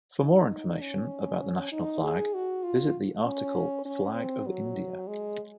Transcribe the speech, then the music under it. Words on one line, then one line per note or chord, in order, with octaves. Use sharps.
For more information about the national flag, visit the article Flag of India.
D#4
C#4
D#4
G#4
F#4
F4
C#4
C#4
C4
F#3
G#3